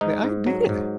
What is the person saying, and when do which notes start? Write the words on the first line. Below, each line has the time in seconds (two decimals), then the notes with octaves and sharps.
The idea!
0.01 G#2 D#4
0.24 G#2
0.47 F#3
0.69 G#2